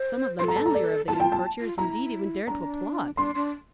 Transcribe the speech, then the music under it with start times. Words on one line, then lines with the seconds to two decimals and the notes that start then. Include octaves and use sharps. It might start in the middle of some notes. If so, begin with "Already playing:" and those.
Some of the manlier of the young courtiers indeed even dared to applaud.
Already playing: C5
0.39 C5 C6
0.44 A4 A#5
0.56 A5
0.66 A#5
0.74 D5
1.08 A4 A5
1.13 F4
1.20 G5
1.32 A5
1.61 F4
1.78 E4 A#5
2.47 D4 A#5
3.17 D4 C6
3.35 D4